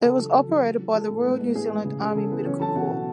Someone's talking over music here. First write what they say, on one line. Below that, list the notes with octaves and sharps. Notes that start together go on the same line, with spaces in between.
It was operated by the Royal New Zealand Army Medical Corps.
C#3 A4
F#3
F#3
F#3
F#3
F#3
F#3 A4
A2
G#3 B3 B4
G#3
A2 G#4
G#3
C#3
C#3 G#4
C#3 A4
E3 B3 B4
F#3 C#4 C#5
F#3 A4 A5
B2 F#4 F#5
B2